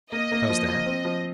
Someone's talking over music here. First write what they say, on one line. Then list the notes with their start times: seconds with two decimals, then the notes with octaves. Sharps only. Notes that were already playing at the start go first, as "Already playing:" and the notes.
How's that?
0.12 A#3 D#5
0.32 A#3
0.50 F3
0.68 F3
0.86 C4
1.05 F3